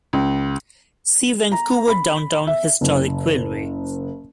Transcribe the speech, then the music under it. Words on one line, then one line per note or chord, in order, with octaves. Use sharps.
See Vancouver Downtown Historic Railway.
C#2
A#5
B5
E5
F#1